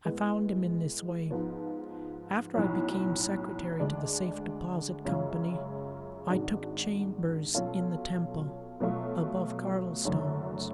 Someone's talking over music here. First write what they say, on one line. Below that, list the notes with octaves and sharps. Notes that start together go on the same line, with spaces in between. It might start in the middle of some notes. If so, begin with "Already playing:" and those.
I found him in this way: After I became secretary to the Safe Deposit Company, I took chambers in the Temple, above Cardlestone's.
A2 G#3 B3
G#2 F3 B3
B1 A2 F#3
D2 D3 G#3 D4
F#2 C#3 G#3 C#4 F4
G#1 G#2 G#3 D4 F#4
B2 F#3 C#4 F4 A4
B2 F#3 A3 F4
F#1 F#2 D3 F#3 A3